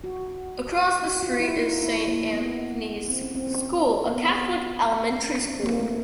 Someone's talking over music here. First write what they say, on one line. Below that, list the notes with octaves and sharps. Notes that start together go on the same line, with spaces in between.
Across the street is Saint Anthony's School, a Catholic elementary school.
F#4
F#4
F4
E4
D#4
E4
A#3
B3
C4
C#4
C4
C4
B3
C#4
D4
C4
A#3
A3